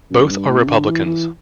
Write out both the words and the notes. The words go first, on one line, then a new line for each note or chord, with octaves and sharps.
Both are Republicans.
F#2
G2
A2
C3
D3
E3
E3